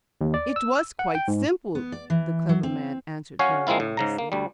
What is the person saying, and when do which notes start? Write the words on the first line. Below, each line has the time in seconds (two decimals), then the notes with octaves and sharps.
"It was quite simple," the clever man answered very modestly.
0.21 D#2
0.34 D5
0.56 E6
0.99 F#5
1.15 G5
1.28 G#2
1.75 B3
1.92 D5
2.10 E3
2.49 F#3
2.63 C4
3.39 C#4 F#4 C#5 F5 G#5
3.67 G#3 A#3 C4 E4 F4
3.80 A2
3.97 G#2 C#3 A#5
4.18 A#3
4.32 D2 G3